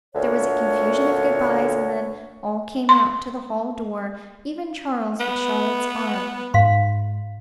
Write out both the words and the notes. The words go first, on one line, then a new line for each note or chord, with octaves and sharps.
There was a confusion of good-byes, and then all came out to the hall door; even Charles, with Charlotte's arm.
D2 A#2 D3 C#5
C6
B3
G#2 F5 C6